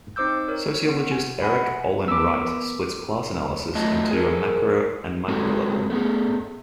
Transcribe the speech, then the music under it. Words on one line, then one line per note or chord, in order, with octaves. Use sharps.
Sociologist Erik Olin Wright splits class analysis into a macro and micro level.
C4 D#4 C5 D6 E6 G6
A#4 C#5
B3
G#5
E5 F#5 G#5 B5
B3 A#4 B4 D6 E6
F#3 A3 F4 D#5 E5 A5
G#4 A#4
G#3 C4 F#4 G4 A4
A3 B3 G#4